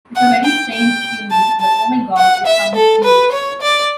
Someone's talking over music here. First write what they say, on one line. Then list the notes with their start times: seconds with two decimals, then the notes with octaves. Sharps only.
It's a very strange tuning, but oh my God, it sounds huge.
0.16 F#5
0.45 G5
0.73 G5
1.31 A5
1.61 A5
2.17 F#5
2.47 E5
2.76 A4
3.04 B4
3.33 C#5
3.62 D5